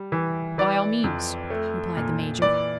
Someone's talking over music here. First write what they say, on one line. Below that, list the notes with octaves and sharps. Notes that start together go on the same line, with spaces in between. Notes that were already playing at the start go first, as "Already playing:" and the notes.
"By all means," replied the major.
Already playing: G3
E3
E3 D5
F2
A3
A#2
E3 D5